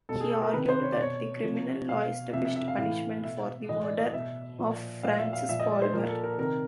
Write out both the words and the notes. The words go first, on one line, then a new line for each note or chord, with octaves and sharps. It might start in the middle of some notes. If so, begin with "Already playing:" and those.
He argued that the criminal law established punishment for the murder of Francis Palmer.
B2 A4
G#4
A4
A#4
C3 D#3 B4
C5
C#5
D5
B2 C#5
C3 F3
B2 F5
C3 F3 E5
E5
E5
F5
A2 E3 F5
B2 E5
A2 E3 D#5
D5
D#5
B2 E5
A#2 F3
A#2 F3 F5
E5
F5
A#2 F3 E5
D#5
D5
C5
A#2 F3 A#4
A4
A#4
C3 D#3 A#4